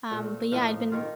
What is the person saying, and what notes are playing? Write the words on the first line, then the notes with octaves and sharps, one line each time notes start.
Um, but yeah, I've been
A#2 A3 C4
A2 F3 A#3 D#4
D#3 A#3 F4